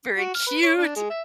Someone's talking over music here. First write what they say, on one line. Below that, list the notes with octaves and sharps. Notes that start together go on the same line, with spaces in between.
very cute.
F#4
F6
B4
C#5
D4
G#3
E5